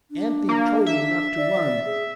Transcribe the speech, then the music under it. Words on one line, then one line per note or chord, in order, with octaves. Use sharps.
'Aunty told me not to run.
D4
A#3
E5
D5
G#4